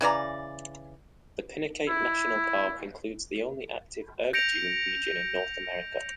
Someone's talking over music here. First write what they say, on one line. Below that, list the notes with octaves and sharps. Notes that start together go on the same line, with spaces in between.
The Pinacate National Park includes the only active Erg dune region in North America.
C#3 E3 D5 A#5
E4
G6 A#6 C#7 D7 F7